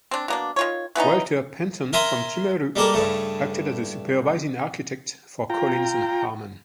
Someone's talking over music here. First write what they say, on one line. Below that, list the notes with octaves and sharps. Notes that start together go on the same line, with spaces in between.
Walter Panton from Timaru acted as the supervising architect for Collins and Harman.
C4 D4
B2 A#3 D4
D#3 F4 C#5
E3 B3 C#4 D#4
A#4 E5 F5 G#5 A#5 C6
G3 G#3 A#3 A4 A#4
G2 C#3 A3
F4 G5 A#5